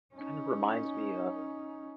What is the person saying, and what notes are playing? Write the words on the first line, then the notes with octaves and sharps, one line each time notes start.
It kind of reminds me of
C#4 D#4